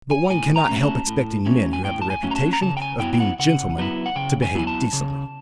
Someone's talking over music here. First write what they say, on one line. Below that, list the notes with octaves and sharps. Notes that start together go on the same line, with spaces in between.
"But one cannot help expecting men who have the reputation of being gentlemen to behave decently."
G#5
A2 G#5
A#5
F#3 A3 C#4
A5
A2
F#3 A3 C#4
G#5
A2 G5
A5
G#5
F#3 A3 C#4
A#5
A5
A#5
C#3 A5
G5
G#5
F#3 B3 E4 G5
G5
F#5
C#3 F#5
F#3 B3 E4
F#5
C#3 G5
G#5
F#3 B3 E4 G#5
A5
C#3